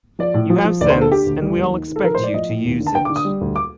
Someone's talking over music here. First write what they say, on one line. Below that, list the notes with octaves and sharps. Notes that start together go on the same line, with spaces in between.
You have sense, and we all expect you to use it.
F3 D5
A2
F3
F3
D2 D5
C5
D3
A4
D3 G4
D2
G3
D#2
D#3
D#3
A4
F3 A#4
A2 C5
D5
F3 D#5
A2
D#2
D3
A5
D3 G5
D6
D3
D#6
G3
D2
D6